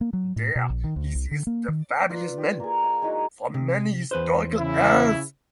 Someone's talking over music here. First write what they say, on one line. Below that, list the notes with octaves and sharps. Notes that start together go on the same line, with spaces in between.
There he sees the famous men from many historical eras.
A#3
F#3
A2
B2
A#1
D#3
D2
C2
D3
A#3
D#3
F4 B4 D5
G4
A#3 G#4
E5 F5
G#3 D#4 E4 F#4
C3
E2 B4 C5
C#3 E4